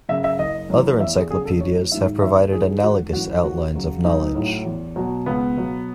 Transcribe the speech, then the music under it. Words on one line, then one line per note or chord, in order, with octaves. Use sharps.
Other encyclopedias have provided analogous outlines of knowledge.
F#2 C#3 E5
E5
F#1 D#5
F#2 E3
E2 E5
G#4
C#3 F#3 G#4
A4
A1 C#5
G#2 D#3 F#3 E5
D#2 E5
B4
D#3 F#3 G#4
G#4
G#1 F#4
F#2 E3 F#4
D#2 F#4
C#3 F#3
B1 D#4
A2 F#3
E2
B2 F#3
C#2 B3
B2 F#3